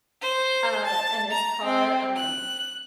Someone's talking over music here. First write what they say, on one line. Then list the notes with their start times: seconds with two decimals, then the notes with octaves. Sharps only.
Uh, and this car, um,
0.21 C5
0.87 A5
1.31 A#5
1.64 C4
2.15 F#6